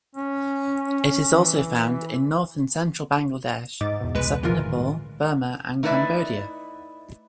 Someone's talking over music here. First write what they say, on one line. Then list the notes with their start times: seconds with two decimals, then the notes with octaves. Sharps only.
It is also found in north and central Bangladesh, southern Nepal, Burma and Cambodia.
0.15 C#4
1.34 E3
3.81 G#2 D#5 D6 A6
4.00 E2 B2
4.15 C2 G#3 B4
4.43 D1 D#3 E3 G#3 F4 A#4
5.83 A3 D#4 E4 B4 D5 E5